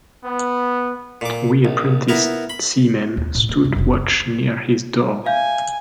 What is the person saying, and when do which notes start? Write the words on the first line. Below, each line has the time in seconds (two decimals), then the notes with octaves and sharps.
We apprentice seamen stood watch near his door.
0.24 B3
1.21 A#2 D6
1.65 A#1
2.09 B3 E4 A#4
2.50 B5
3.17 D#2
3.35 A2 C#3
3.49 A#3
3.64 G2 F3
3.76 F1 C3
3.93 F2
5.26 E5 F5 G#5 G6